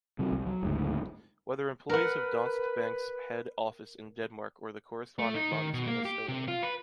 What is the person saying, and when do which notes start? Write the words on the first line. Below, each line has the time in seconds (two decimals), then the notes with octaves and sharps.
Whether employees of Danske Bank’s head office in Denmark or the corresponding bodies in Estonia?
0.19 C3 F#3
0.32 C2
0.46 F#3
0.63 F#1 D2 G#2
1.89 A#4 B4 F#5
5.18 A3
5.34 D#4
5.52 D#3
5.74 B2
5.87 A#3
6.05 G4
6.28 C3
6.48 F4
6.63 B4